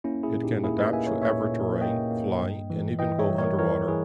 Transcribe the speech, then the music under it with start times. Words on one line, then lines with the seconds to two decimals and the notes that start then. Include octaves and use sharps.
It can adapt to every terrain, fly, and even go underwater.
0.04 A#3 C#4 E4
0.23 E4 G#4
0.34 A#2
0.44 D#4 G4
0.63 A#3 E4 G#4
0.78 B4 D#5
0.93 A#3 E5 G#5
1.07 A#4 C#5
1.22 A#2 C#5 E5
1.52 A#2
1.81 A#3 D#5 G5
2.10 A#3
2.41 G2
2.70 E3
2.99 E3 D#5 G5
3.18 C#5 E5
3.29 G3
3.38 A#4 C#5
3.58 E3 A#4 C#5
3.88 E3 G#4 B4